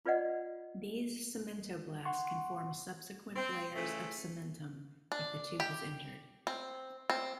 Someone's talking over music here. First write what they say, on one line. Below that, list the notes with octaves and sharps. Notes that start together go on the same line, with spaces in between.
These cementoblasts can form subsequent layers of cementum if the tooth is injured.
F4 B4 D5 D#5 F#5
F#5 C6 C#6
C4
C#3 E3 A3
D4
G4
C4
C4